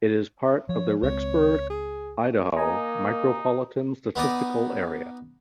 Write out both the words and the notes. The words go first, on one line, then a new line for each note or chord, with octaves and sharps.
It is part of the Rexburg, Idaho Micropolitan Statistical Area.
F3 C#5
C#2 G#3 C4 C#5
G#4
A#3 D#4 D#5 G#5 A#5
B3 D#4 D5 D#5